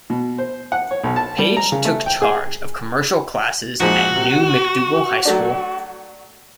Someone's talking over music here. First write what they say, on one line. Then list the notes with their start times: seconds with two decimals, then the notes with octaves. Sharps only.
Page took charge of Commercial Classes at new McDougall High School.
0.10 B2
0.38 C5
0.72 F#5
0.91 C#5
1.04 B1
1.16 A5
1.39 G3
1.57 A#5
1.72 C#3
1.85 A3
2.06 G5
2.22 G#4
3.80 A#2 F3 G#3 F#4
4.16 C3
5.25 F#3 A3 D4